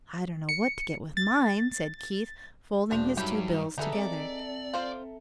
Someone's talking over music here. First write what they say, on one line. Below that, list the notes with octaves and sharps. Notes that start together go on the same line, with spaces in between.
"I don't know what to get with mine," said Keith, folding his two bills together.
C#7
A6
E1 C4 D4 F7
G2 F#3 A3 D#4 G4 B5
D3 D#4 G#4 A4 B4 E5 A#5
C4 D5
F4 C5 F5